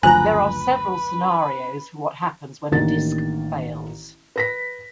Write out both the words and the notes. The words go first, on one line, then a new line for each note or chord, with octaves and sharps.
There are several scenarios for what happens when a disk fails.
F#1 D2 F3 B4 G#5 A#5 F#6
A1 D#3 A#3 D4 A6
B4 A#6 B6